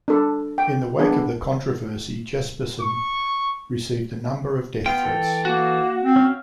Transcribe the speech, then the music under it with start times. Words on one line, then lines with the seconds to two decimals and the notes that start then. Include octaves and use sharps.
In the wake of the controversy, Jespersen received a number of death threats.
0.08 D4 A4
0.58 G5
0.99 B3 D4 G#4
2.81 C#6
4.86 B3 F4 G5
5.05 E3 A4
5.45 A#3 F#4
6.03 C4
6.16 C#4 F#4 F5